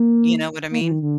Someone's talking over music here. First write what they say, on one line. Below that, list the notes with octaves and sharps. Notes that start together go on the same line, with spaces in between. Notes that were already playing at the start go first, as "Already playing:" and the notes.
You know what I mean?
Already playing: A#3
A#3
E3
D#3
D3